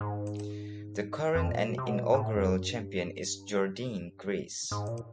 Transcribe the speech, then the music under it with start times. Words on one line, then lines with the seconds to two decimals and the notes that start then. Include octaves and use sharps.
The current and inaugural champion is Jordynne Grace.
0.01 G#2
1.35 F2
1.52 A#2
1.69 B2
1.78 C3
1.86 B2
2.02 A#2
2.14 G#2
2.19 A2
2.36 F2
2.52 F#2
2.70 G2
4.71 G#2
4.88 A#2